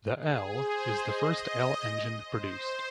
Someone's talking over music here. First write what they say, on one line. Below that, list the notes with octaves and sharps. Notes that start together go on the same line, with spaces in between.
The L is the first L engine produced.
G#4
C5
D#5
C5